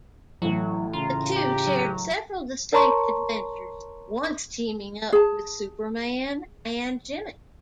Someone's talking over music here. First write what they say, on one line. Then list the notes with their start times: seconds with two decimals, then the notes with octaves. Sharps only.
The two shared several distinct adventures, once teaming up with Superman and Jimmy.
0.42 A1 A2 F#3
0.93 C#3 F4 A#5
1.36 G4
1.67 F#3
2.73 A#4 C#5 A5 A#5 C6 C#6
5.12 G#4 A5